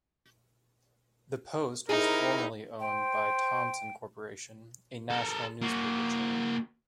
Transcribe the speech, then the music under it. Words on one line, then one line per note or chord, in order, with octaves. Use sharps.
The "Post" was formerly owned by Thomson Corporation, a national newspaper chain.
C3 D#4 E4 G#4 A#4
C5 G5
A4 A#4
A#3 F#4